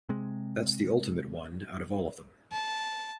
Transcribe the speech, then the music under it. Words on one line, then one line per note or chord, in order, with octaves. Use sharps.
That's the ultimate one out of all of them.
C3 G#3
A5